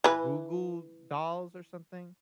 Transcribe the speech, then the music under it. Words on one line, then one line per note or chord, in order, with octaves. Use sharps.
Goo Goo Dolls or something.
E3 B4